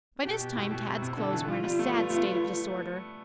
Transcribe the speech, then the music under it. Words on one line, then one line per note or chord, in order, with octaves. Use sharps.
By this time, Tad's clothes were in a sad state of disorder.
B2 G4
B2
A2
B2
C3
C3
D3 A4
E3
F3 F4
G3
A3
B3
A3
B3